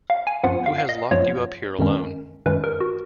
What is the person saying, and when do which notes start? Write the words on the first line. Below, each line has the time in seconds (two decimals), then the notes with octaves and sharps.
Who has locked you up here alone?
0.10 F5
0.27 G#5
0.43 F#2 F3 B3 F4 F#5
0.66 F5
0.78 F5
0.89 D#5
1.11 F#2 F3 B3 F4 C#5
1.79 F#2 D#3 G#3 C#4
2.46 F#2 D#3 G#3 C#4 B4
2.64 A#4
2.80 F#4